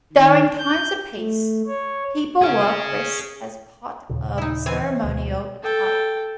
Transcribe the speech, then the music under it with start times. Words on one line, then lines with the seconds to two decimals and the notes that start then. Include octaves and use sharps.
During times of peace, people wore kris as part of ceremonial attire.
0.12 D#3
0.58 G6
1.16 A3
1.67 C#5
2.42 G#4 C#5
4.09 D#2 A#2 C#3
4.38 D#4 E4
4.66 E3 C4 G#5
5.04 D2 B2
5.63 A4 G5